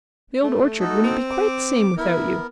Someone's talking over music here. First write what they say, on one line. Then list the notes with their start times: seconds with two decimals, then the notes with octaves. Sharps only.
The Old Orchard wouldn't be quite the same without you.
0.43 A3
0.79 D#4 F#4 A4
1.04 C4
1.31 D6
1.97 B3 E4 A#4